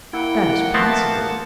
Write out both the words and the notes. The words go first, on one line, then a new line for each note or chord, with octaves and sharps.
"That is possible."
A#3 E4 F#5 G5
F3 A3 B3 C4 A5